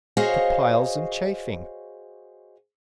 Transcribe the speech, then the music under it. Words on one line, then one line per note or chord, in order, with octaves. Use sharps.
For piles and chafing.
F#4 G#4 C5 C#5 D#5 F5